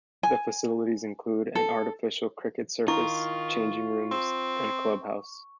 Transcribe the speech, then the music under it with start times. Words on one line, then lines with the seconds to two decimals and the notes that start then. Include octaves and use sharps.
The facilities include an artificial cricket surface, changing rooms and club house.
0.23 G#5
1.55 A4
2.88 D#3 E4 F4 C#6
4.11 C4